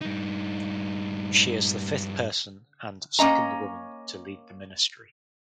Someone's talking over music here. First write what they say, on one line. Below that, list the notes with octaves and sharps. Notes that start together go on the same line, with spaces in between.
She is the fifth person and second woman to lead the Ministry.
G2 D#4
A#3 C#4 D#5 A#5